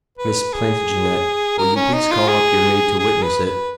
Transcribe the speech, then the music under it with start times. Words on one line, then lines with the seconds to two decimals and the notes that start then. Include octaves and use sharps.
"Miss Plantagenet, will you please call up your maid to witness it?"
0.18 B4
0.53 G#4
1.58 A#4
1.76 C#4
1.93 D#4
2.11 F4
2.28 G#4
2.99 G#4
3.22 B4
3.46 B4